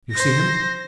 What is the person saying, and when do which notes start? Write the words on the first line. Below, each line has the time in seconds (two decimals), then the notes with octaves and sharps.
"You see him?"
0.12 C5 A#6